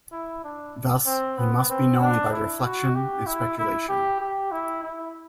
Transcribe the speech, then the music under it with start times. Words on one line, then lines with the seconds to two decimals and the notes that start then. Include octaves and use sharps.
Thus, He must be known by reflection and speculation.
0.12 E4
0.44 D4
1.06 C4
1.38 B3
1.70 C4
2.01 D4
2.32 E4
2.64 F#4
2.95 G4
3.27 E4
3.58 E4
3.88 G4
4.21 G4
4.52 E4
4.83 E4